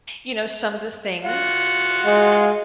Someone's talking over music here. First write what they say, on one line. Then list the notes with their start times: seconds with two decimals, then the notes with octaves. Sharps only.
you know, some of the things
1.25 F4 F#4 F#5
2.05 G#3